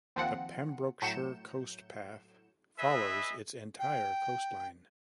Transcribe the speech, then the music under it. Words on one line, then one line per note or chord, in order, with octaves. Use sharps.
The Pembrokeshire Coast Path follows its entire coastline.
D#2 F3 C4 F#5
A2 F#3 G6 C#7 E7
E4 G#4 B4 D#5 E5
G5